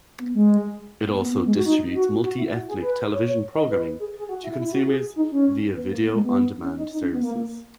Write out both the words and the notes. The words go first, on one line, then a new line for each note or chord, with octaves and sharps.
It also distributes multi-ethnic television programming to consumers via Video On Demand services.
B3
G#3
A#3
B3
B3
G#3
F#4
D#4
F#4
F#4
E4
F#4
G#4
B4
C#5
C#5
D#5
B4
G#4
G#4
F#4
E4
E4
F#4
G#4
D#4
C#4
B3
A#3
A#3
G#3
B3
C#4
D#4
D#4
C#4
B3
A#3